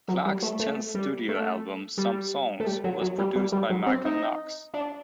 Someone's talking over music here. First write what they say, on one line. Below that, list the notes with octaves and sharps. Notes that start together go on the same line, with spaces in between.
Clark's tenth studio album, "Some Songs", was produced by Michael Knox.
F#3
G3
A3
A3
G3
A3
G3
A3
G3
F#3
F#3
G3
G3
G3
F#3
C4
D#4
D4